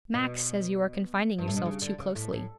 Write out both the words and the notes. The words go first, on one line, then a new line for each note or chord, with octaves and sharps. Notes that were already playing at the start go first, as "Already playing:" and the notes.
Max says you are confining yourself too closely.
B2
G2
A2
B2
C#3
D3
C#3
A2
A2